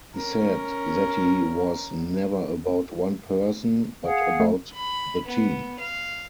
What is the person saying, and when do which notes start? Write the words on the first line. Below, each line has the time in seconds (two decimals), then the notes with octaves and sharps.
He said that he was never about one person, but about the team.
0.15 C#4 A#4
4.03 G#4 F5 F#5
4.40 A3
4.74 B5
5.26 B3
5.80 F5